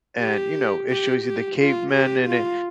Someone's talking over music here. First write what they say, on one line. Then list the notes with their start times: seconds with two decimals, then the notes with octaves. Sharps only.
and, you know, it shows you the cavemen and it
0.20 G4
0.90 G4
1.24 G4
1.59 F4
1.93 G4
2.27 F4